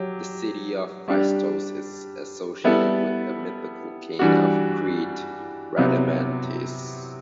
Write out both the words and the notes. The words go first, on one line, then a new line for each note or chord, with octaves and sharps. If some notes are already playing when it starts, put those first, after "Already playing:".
The city of Phaistos is associated with the mythical king of Crete Rhadamanthys.
Already playing: F#3 G4
G3 D4 G4
G3 B3 E4 A4
E3 G3 D4 F#4
C3 F#3 B3 E4